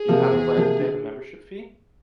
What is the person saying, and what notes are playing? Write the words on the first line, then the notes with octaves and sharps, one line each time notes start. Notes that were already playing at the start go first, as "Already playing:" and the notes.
Do you have a plan to pay the membership fee?
Already playing: G#4
C3 F3 A#3
E2
C3 F3 A#3
D3